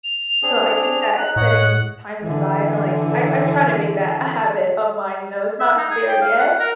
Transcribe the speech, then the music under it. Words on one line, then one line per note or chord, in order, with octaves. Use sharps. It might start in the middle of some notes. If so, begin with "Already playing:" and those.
so, I think that setting time aside and, like I I'm trying to make that a habit of mine, you know? It's not there yet,
F7
C4 D4 G#4
D#4 F#6
A2 C#5 D#5 F#5
D3 E3
E5
D#4
G#4
G5
F5
F#5
A#4